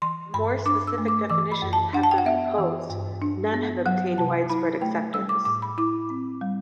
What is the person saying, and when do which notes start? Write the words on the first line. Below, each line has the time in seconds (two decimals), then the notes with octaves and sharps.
More specific definitions have been proposed; none have obtained widespread acceptance.
0.02 E3 C6
0.34 G2 B5
0.66 D4 D6
0.87 E6
0.98 A3
1.08 D6
1.30 E3 D6
1.52 B5
1.62 F#2
1.73 A5
1.93 D4 F#5
2.03 A5
2.11 G5
2.18 F#5
2.25 B3 E5
2.58 E3
2.90 G2
3.22 D4
3.54 B3
3.86 F#3 F#5
4.18 C3 A5
4.50 E4 B5
4.82 A3 G5
5.13 G3 E6
5.29 D6
5.45 A2 D6
5.62 B5
5.78 E4 D6
6.10 C4
6.41 G3